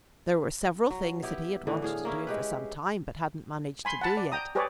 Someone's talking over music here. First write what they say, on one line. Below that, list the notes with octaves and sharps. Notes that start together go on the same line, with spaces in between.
There were several things that he had wanted to do for some time, but hadn't managed to do yet.
F#3
B3 E4 G4
A2 D3 E3
A2 G#4 F5
A#3 C#4 E4
G#3 G4 B4
G#5 B5 C6
F#5 A5 B5
D5
G5 A#5 D#6
G4 G#4 B4 C#5 D5 G#5